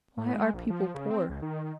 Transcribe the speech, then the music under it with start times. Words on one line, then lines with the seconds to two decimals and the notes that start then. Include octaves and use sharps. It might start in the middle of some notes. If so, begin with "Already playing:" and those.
Why are people poor?
0.17 A2
0.34 G#3
0.54 A#1
0.70 F3
0.95 C#3
1.11 C4
1.29 C#2
1.42 D#3
1.63 D#3